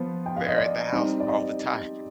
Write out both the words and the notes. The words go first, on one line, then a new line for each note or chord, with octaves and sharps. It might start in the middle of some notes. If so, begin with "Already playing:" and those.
there at the house all the time.
Already playing: F3 B3 F4 C5
G5
F5
D#5
D5
G3 C4 D#4
D5
D#5